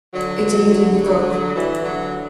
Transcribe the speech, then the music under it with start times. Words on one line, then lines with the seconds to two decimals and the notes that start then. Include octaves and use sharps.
It's a little bit off.
0.14 D3 F#3
0.70 D3 F#3
1.55 E3
1.83 D3 F#3